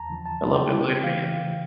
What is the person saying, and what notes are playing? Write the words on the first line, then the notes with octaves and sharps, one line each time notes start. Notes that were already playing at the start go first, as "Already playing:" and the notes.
a little bit later. Yeah.
Already playing: E2 A5 A#5
D3 F3
A5
C#3 G5
E3 A3 F5